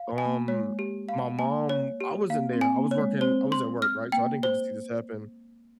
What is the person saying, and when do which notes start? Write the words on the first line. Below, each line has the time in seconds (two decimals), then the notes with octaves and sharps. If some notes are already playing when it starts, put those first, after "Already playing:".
um, my mom I wasn't there, I was working I was at work, right, so I didn't get to see this happen.
Already playing: F5
0.18 G#5
0.26 A#3
0.48 G#3 C#5
0.79 G4
1.09 F5
1.39 A#3 G#5
1.69 C#5
2.00 G4
2.30 A#3 F5
2.53 C4
2.61 G#5
2.76 A#3
2.91 C#5
2.98 G#3
3.21 C4 C5
3.52 C6
3.82 F6
4.12 A#3 G5
4.43 C5